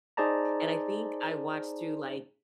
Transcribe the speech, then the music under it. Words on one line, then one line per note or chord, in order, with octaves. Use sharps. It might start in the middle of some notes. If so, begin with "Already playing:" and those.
and I think I watched through, like,
D#4 G#4 C5 D5 A5 A#5